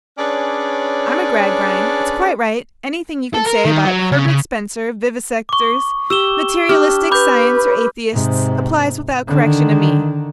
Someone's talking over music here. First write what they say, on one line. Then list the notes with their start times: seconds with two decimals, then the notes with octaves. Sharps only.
I'm a Gradgrind--it's quite right--anything you can say about Herbert Spencer, vivisectors, materialistic Science or Atheists, applies without correction to me.
0.18 C#4 D4 G#4 B4 C#5 D5
3.34 A4
3.46 A#4
3.65 D#3
3.85 F#3
4.12 C#3
4.28 C#3
5.49 C#6 D6
6.10 G4 E6 E7 G7
6.69 D4 G4 F6
7.11 B4 B5 D6 G6
8.13 G#2 C3
9.27 D3 D#3